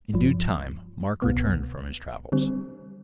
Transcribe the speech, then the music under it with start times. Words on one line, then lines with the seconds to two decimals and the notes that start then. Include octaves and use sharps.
In due time, Mark returned from his travels.
0.13 G1 G2 F3
1.22 C2 B2 B3
2.32 D3 G3 C4